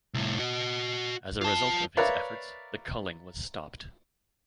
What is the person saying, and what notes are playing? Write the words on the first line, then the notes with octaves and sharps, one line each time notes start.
As a result of his efforts, the culling was stopped.
C2 A2
F#4 D#5
F4 A5
A#4 B4 C#5 D5 E5 F5